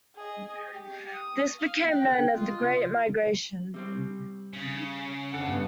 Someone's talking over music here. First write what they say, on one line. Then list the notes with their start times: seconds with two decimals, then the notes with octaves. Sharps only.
This became known as the Great Migration.
0.15 G#4 D#5
0.70 G4
1.13 D#6
1.60 F5
1.89 G5 F#6
2.35 F4 D#5
3.74 C3 G3 C4
4.53 C#3
5.33 F2 D3 A4 F#5
5.48 G2 B3